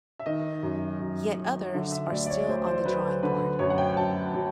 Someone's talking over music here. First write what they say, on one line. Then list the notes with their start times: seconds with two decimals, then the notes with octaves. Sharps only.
Yet others are still on the drawing board.
0.19 E5
0.26 D#3 D#5
0.63 F#2
1.00 F#2
1.37 F#3
1.74 D3 E5
1.92 E5
2.11 D2 D5
2.26 D5
2.30 C#5
2.48 D2 C5
2.66 C5
2.85 F#3 B4
3.23 D3 B4
3.59 F#2 C#5
3.70 F#5
3.78 G5
3.97 F#2 A5
4.34 F#3